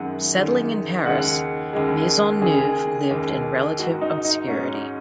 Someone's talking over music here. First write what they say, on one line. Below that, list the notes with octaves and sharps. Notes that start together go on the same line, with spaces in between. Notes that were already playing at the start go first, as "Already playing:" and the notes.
Settling in Paris, Maisonneuve lived in relative obscurity.
Already playing: F#2 D#3 G#3 F#5
F#2 D#3 G#3
D#2 C#3 G#3 F#5
D#2 C#3 G#3
D#2 C#3 G#3 G#4
D#2 C#3 G#3
G#2 G#3 F#4
D#4
D#4
G#2 G#3 C#4